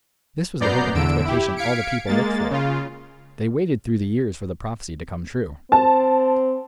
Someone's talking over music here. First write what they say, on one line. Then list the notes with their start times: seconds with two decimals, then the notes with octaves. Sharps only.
This was the hope and expectation all the people looked for; they waited through the years for the prophecy to come true.
0.60 F#2 B3 D5 A#5 G6 C7
0.94 E2 D3 E6 D7
1.25 E4 G4
1.56 F5 G#6 B6 C#7 D7
2.07 G#3 A#3 A6
2.50 C#3 F4
5.72 C4 A5